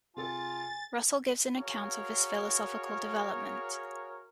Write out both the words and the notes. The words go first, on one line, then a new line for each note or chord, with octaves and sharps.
Russell gives an account of his philosophical development.
C3 F4 G#4 A4 G#5 A6
F#4 G#4 A#4 C#5 F5